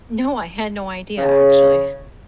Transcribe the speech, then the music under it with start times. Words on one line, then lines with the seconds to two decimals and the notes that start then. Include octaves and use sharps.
No, I had no idea, actually.
1.17 C#3